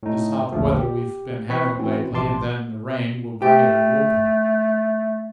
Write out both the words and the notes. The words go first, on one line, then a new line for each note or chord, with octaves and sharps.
This hot weather we've been having lately, and then the rain, will bring it a-whooping.
A2 D#4
A#1 E2 A#2 D3 F3 A3
G4
E3 C4 B4 C#6 B6
E3 C4 C#4 F#4
A1 C3 F3 A5 C6 D6
A3 G4